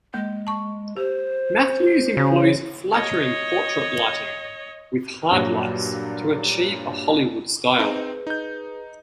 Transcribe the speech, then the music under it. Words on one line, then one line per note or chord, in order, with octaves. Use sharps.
Matthews employs flattering portrait lighting with hard lights to achieve a Hollywood style.
G#3 A#3
A5 C#6
G4 C5
C#3 C#4 F#4
C#5 D#5
G2 A#2 F#3
C4 D#4 G#4 B4
D#4 G6